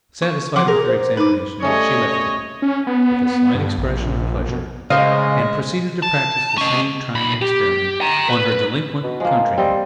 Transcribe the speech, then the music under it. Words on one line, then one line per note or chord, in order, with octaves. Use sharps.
Satisfied with her examination, she left him, with a slight expression of pleasure, and proceeded to practise the same trying experiment on her delinquent countryman.
C#6
F3 F#5 C6 D6
G#4 A#4
C5
D#4 B4 D6
G3 A3 C#4 C#5 D#5
C#4
B3
G2
A#1
A#1
A#1
B2
C#3 G#3 C5 D#5 F5
A5
C#4 D#5
B1 B5
G4
G5 A#5
B4
B2
F3 G#3 A#3
G3 C4 D#5